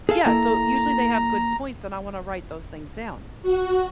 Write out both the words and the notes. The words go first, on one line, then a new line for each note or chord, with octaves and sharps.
Yeah, so usually they have good points, and I wanna write those things down.
G#4 A4 F5
A#3 E4 A4 A#5
F#4